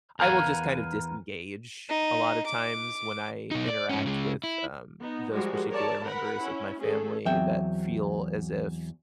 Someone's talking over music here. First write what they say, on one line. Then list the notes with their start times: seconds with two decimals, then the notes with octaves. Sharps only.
I will just kind of disengage a lotta times when I interact with, um, those particular members of my family that feel as if
0.19 E2 A#4 F5 F#5 G#5
1.89 D#4
2.46 D6
3.51 B2 D#4
3.69 D5
3.89 G#2 C#4
4.06 C#3 G#3
4.44 E4
4.99 B3 D#4
5.32 F3 G3 G#3 F#4 G#4 A#4
5.69 A#4 C#5 D5 A5
6.03 A#4 B4 F#5 B5
6.42 C#4 E4
6.80 A3 C#4 G#4 A4
7.26 E2 F#3 C4 E5 G5